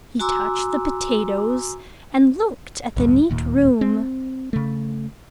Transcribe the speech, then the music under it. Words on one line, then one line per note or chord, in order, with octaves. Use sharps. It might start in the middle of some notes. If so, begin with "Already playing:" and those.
He touched the potatoes and looked at the neat room.
F#4 G#5 A#5 C6 D6 E6
A1 D2 G2
D1 D#2 A#2
C4
C#3 A3